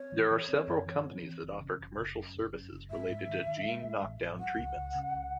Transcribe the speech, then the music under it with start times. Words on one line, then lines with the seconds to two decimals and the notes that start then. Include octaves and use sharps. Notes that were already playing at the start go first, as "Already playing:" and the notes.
There are several companies that offer commercial services related to gene knockdown treatments.
Already playing: C4 C#5
0.12 E3
0.31 E3
0.48 C4
0.67 F#2
0.86 E3
1.04 C4
1.23 E3
1.41 F#1
1.60 C#3
1.79 F#1
1.98 F#1
2.16 F#2
2.35 F#1
2.53 F#2
2.71 F#1
2.91 G#2 E5
3.09 G#2
3.28 D#3
3.46 D#3
3.65 G#3
3.84 G#3
4.02 A1
4.20 A1
4.39 F#3 F#5
4.58 C#2
4.76 C#2
4.95 C#3
5.14 C#2